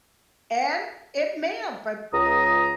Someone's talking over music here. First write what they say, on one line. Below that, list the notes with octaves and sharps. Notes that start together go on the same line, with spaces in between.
And it may have, but
C#2 A#5 D#6